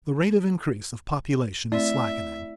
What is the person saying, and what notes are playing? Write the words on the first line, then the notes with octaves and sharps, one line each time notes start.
The rate of increase of population is slackening.
A3 C4 E4 D5 E5